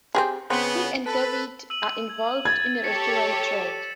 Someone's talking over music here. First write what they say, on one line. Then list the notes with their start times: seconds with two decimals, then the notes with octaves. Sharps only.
He and David are involved in the restaurant trade.
0.15 C4 G4 G#4
0.50 C#3 B3 C4
1.06 A4 B4
1.70 E6 D#7 F#7
2.09 G#6
2.45 G#6 A6
2.84 G4 A4 C#5 B6 C#7
3.53 E7